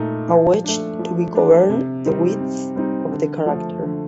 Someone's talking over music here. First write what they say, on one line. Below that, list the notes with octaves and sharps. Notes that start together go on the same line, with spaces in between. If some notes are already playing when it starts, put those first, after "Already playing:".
A wedge to govern the width of the character.
Already playing: A#2 A3 D#4
F3
A3 D4
F3
A3 D4
C3
G3 C4 D#4
C3
G3 C4 D#4
D3
F3 A3
D3